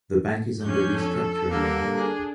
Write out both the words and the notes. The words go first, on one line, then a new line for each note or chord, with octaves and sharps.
The bank is under restructuring now.
F2 C#4 D4 G6
A4
G2 D3 A#3
D4 G#4